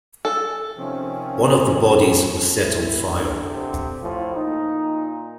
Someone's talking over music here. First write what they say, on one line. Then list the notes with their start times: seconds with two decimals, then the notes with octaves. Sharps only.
One of the bodies was set on fire.
0.25 A4
0.77 C3 D#3 F3 C4 C#4
2.62 E4
3.05 E2 D3
3.48 C3
4.02 A2 F3
4.36 A#2 D#4